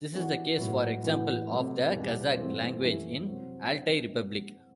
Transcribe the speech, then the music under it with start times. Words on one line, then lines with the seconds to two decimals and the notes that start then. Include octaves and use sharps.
This is the case, for example, of the Kazakh language in Altai Republic.
0.13 E3 B3 D4 F#4
0.58 A2 F#3 B3 F#4
1.02 A2 E3 B3 F#4
1.46 C3 F#3 A3
1.91 E2 B2 G3 D4
2.35 G2 E3 A3 C4 F#4
2.80 F#2 E3 A3 E4
3.23 C3 F#3 C4